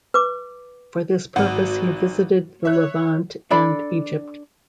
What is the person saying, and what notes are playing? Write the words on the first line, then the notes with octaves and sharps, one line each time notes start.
For this purpose he visited the Levant and Egypt.
B4 D6
G#1 F#4 F#5
C#5 E5 F#6
D4 A4 D5 B5